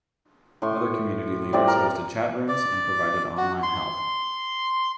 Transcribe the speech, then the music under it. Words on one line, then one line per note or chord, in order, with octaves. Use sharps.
Other community leaders hosted chat rooms and provided online help.
A2 C6 C#6
A2 G3 C4 D5
A#4
D5
F#4
C6